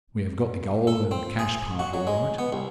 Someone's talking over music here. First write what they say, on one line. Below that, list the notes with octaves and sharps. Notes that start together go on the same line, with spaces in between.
'We have got the gold and cash part all right.
A4
C4
G#4
F#4
F#3
G#3
B3
C2